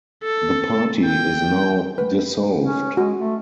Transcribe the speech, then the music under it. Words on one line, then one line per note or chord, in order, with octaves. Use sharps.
The party is now dissolved.
A4
G5
B4
C#4
G#3 F#4
A3